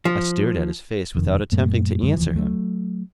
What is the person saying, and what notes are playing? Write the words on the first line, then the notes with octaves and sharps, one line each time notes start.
I stared at his face without attempting to answer him.
F3
F1 F2 D#3
F#2 A#2 A3 A#3
F#2 D3 F#3 G#3
F#1 D#2 E3 F3
F#3 A3